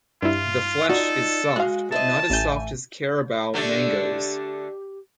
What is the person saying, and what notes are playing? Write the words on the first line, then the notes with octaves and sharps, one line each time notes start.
The flesh is soft but not as soft as Carabao mangoes.
G2 E4 F4
D#4 F4 F#4 A4 D5
G#3 F#4 F5 F#6
E4 C5 D#5 A5
A1 A3 G#5 G6
D3 A3 D4 G4